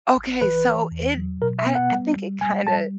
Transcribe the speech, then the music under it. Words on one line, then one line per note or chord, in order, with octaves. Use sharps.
Okay, so, it I I think it kinda
G#1
E3 B4
E3
E2
F#3
B2 A#4
E5
B3
F#5
G3
G3
G3 G#5
G3 A5